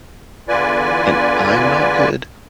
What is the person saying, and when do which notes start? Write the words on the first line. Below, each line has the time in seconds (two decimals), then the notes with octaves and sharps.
and I'm not good
0.48 E2 D3 F4 B4 D5 G#5